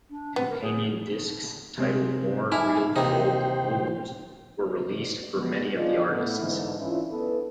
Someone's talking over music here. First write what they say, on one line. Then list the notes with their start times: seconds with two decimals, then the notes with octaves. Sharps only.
Companion discs, titled More Real Folk Blues, were released for many of the artists.
0.10 D4
0.36 B3 C4
0.49 A#4
0.62 G#4
1.78 C3 G#3 C4
2.52 D#4 E4 G#5 A5 D6 F6
2.96 D#2 C3 E3 D#4 C5 G5
5.36 G#3 B3
5.75 D4 F4 G#4 C5 D5 D#5
6.07 A2 B3 A4
6.39 G#2 D3 E3 E4
6.78 E3 C#4 D4 E4 F4
7.10 B3 D4 E4 A4 B4